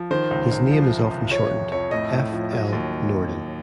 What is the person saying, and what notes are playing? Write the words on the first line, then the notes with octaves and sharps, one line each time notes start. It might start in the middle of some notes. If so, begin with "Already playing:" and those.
His name is often shortened "F. L. Norden".
Already playing: F3
D#3 C5
C#2
C#2
F3
C2
C2
F3 C#5
F2
F2 C#5
A2 D#5
A2
F3
F#3
D#2